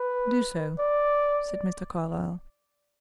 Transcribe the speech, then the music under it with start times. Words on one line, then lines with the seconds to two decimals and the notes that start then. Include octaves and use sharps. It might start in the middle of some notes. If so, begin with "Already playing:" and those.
"Do so," said Mr. Carlyle.
Already playing: B4
0.79 D5